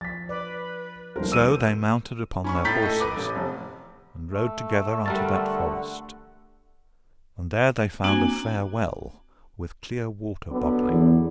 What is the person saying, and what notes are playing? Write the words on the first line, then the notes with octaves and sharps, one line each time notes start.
So they mounted upon their horses, and rode together unto that forest, and there they found a fair well, with clear water bubbling.
F3 A6 B6
B4 D5
D#1 B1 F3 A#4 C5
E6 D#7
C#4 B5 C#6
A2 A#5 G6 A6 B6
A4 D#5
B4 D6
A1
F1
A3
D3 G3 A#4 F#5 A5
A#3 C4 D4 F#4 G#5
D3 F#3 B3
E2